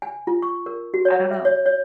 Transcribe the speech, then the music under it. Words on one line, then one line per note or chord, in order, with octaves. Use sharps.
I don't know.
G#5
F4
C#6
A#4
F#4
C#5
E5
C#5
C#5